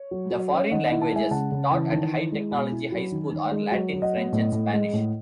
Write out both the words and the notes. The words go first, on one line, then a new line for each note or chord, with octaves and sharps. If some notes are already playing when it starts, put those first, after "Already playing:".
The foreign languages taught at High Technology High School are Latin, French and Spanish.
Already playing: C#5
F#3
F#3
C#4
D#3 D#5 F#5
D#5 F#5
E4
F#5 A5
G#3 E5 G#5
C#3 F#5 A5
C#3
E3
D#3
E4
G#3
B2 G#5 B5
E4
F#3
D#3
D#3
G#3
F#3
F#3
D#5 F#5
B3
A2
A2
G#3
A2